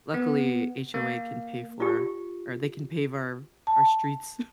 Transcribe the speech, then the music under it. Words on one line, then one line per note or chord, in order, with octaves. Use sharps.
luckily, HOA can pay for or they can pave our our streets
B3
A#3
F4 G4
A5